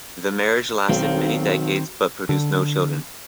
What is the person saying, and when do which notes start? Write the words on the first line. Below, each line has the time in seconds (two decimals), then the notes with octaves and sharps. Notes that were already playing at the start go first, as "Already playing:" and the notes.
The marriage lasted many decades but produced no children.
0.89 B1 D#3 C4
2.29 D3